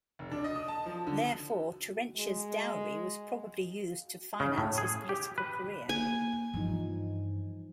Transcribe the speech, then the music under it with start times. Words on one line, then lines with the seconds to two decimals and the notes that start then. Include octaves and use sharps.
Therefore, Terentia's dowry was probably used to finance his political career.
0.19 F1
0.32 D4
0.44 D#5
0.56 D#6
0.68 A5
0.86 F3
1.07 D3
2.17 G#3
4.40 C#3
4.58 A2
4.78 G#4
5.09 G4
5.38 B4
5.89 A#3 G#5
6.54 G2 E3 F3 D#4